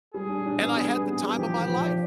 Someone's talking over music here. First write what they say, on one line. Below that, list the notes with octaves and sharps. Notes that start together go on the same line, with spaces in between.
and I had the time of my life.
G3 G#4
D4
D4
B3
G3
B3
B3
G3
F3 G4
F3
F3
D5